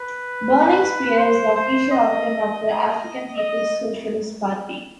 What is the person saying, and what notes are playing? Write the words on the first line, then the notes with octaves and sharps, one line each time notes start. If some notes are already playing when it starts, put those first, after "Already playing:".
Burning Spear is "the official organ of the African People's Socialist Party".
Already playing: B4
C5
C5
D#5
D#5